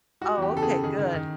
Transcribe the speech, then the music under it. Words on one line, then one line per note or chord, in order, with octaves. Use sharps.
Oh, okay, good.
G3 F#4
E2 G4
C#3 A4
G#4
C#3
D#3 G#4
D#3
D#3